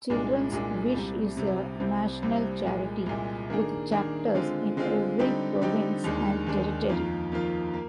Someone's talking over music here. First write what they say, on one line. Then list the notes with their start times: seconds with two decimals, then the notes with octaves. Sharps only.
Children's Wish is a national charity with chapters in every province and territory.
0.10 C2 A#2 G#3 D4
0.52 C2 A#2 G#3 D4
0.94 C2 C3 G3
1.37 C2 C3 G3
1.80 C2 C3 G3 C4
2.22 C2 C3 G3 C4
2.64 C2 A#2 G#3
3.06 C2 A#2 G#3
3.50 D#3 A#3 D4 G#4
3.91 D#3 A#3 D4 G#4
4.35 D3 G#3 C4 F4
4.77 D3 G#3 C4 F4
5.19 D3 G3 C4 D#4 G4
5.61 D3 G3 C4 D#4 G4
6.04 D#2 D#3 G#3 D4
6.47 D#2 D#3 G#3 D4
6.89 F2 D#3 A#3 F4
7.32 F2 D#3 A#3 F4
7.73 A#3